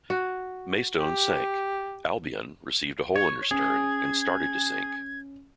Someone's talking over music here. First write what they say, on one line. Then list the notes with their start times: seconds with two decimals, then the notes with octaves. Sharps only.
"Maystone" sank, "Albion" received a hole in her stern and started to sink.
0.10 F#4
0.98 G4
3.16 C#5
3.51 C#4 G#4 G#6